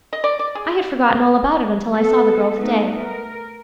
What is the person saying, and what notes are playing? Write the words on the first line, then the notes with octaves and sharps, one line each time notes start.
I had forgotten all about it until I saw the girl today.
D#5
D5
D5
G#4
B3 A4
A3 B3 D#4
A#4